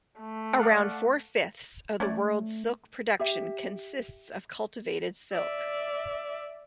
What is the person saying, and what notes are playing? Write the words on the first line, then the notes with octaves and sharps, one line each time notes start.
Around four-fifths of the world's silk production consists of cultivated silk.
A3
D5 F5 F#5
A3 C#4 C#5 D5
G4 E5
D5 E5